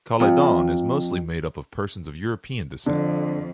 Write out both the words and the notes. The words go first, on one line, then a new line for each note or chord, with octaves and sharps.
Caledon is mostly made up of persons of European descent.
F2
F2 D3